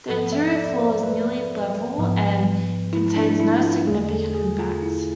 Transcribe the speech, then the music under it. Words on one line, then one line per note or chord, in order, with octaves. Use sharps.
The interior floor is nearly level and contains no significant impacts.
G#2 F3 B3 A4
E5
D5
C5
B4
G#2 F3 B3
E4
D4
E4
F4
E2 D3 A3 G#4
A4
G#4
F4
E4